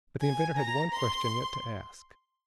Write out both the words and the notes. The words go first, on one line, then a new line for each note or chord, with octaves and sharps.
But the inventor had one question yet to ask.
G#5
A#5
C6